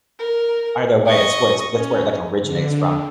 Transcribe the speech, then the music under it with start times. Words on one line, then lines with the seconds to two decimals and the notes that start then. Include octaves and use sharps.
either way, it's where it's that's where it, like, originates from.
0.19 A#4
1.07 D#5 C#6
1.76 C#4
2.41 D3